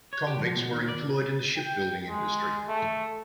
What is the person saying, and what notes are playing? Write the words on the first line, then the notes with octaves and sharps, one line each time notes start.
Convicts were employed in the shipbuilding industry.
C#5
G4
F3
B2
D#2
D5
G5
G#3
A3